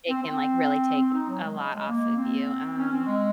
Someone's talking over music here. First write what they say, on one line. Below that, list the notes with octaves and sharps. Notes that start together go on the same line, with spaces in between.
it can, like, really take a lot off of you. Um,
C4
C4
C4
D#4
F#3
G#3
G#3
G#3
A#3
C4
C#4
C4
G#3